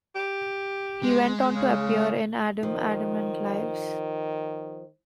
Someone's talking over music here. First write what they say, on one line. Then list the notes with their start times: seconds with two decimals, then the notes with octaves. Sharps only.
He went on to appear in Adam Adamant Lives!
0.15 G4
1.03 G#3
1.54 C#3
2.63 D#3 F3